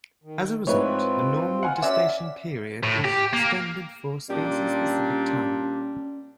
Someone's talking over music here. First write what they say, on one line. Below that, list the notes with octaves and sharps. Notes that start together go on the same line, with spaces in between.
As a result, the normal gestation period is extended for a species-specific time.
D#3
G#2 C4 E4 F4 B4 C#5
F#5 G#5 F6
F#3 C#4 D5 E5
A2
G4
A#3
A#2 G3 C#4 D4